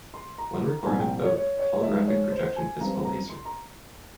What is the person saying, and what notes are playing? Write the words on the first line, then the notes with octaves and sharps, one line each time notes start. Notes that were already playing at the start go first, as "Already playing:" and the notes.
One requirement of holographic projection is a laser.
C6
A#5
C2 A#2 F3 C4 G#5
G5
C#5
C#5
C#5
G#2 F3 G#3 E5
C#5
C5
G#5
G2 F3 C4 A#5
A#5
C6
A#5